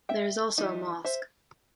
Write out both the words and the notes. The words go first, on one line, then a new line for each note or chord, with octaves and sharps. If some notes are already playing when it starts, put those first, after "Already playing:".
There is also a mosque.
E5 G5
E3 G3 D#4
C5 E5